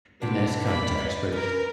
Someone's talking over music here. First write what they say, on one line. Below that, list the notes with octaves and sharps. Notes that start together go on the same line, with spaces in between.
in this context, but
C3 B3 D4 B4
G2 A#4 D5 B5
B4 D5 D#5
C#4 A#4